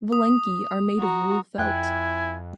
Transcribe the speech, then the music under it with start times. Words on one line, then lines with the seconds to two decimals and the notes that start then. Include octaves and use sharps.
Valenki are made of wool felt.
0.12 D#6
1.00 F#4 A#5
1.58 F2 E4 G5 G#5 F#6 A6